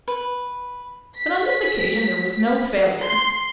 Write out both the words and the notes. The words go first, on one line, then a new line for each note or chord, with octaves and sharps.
But on this occasion there was no failure.
B4
B6
C6